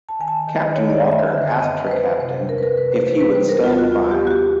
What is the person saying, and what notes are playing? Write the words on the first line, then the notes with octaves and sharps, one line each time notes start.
Captain Walker asked her Captain if he would stand by.
A5
D#3 G#5
A5
D#3
D#5
D#3 C#5
D5
F#2 D#5
E5
D#5
D3 E5
F#2 D#5
B4
F#2 C5
C3 C5
E2 A#4
B4
A#4
C3 B4
C5
E3 B4
B4
G3 C5
A#4
D#2 F4
F#4
G3 F4
G4
B3
F#4
G4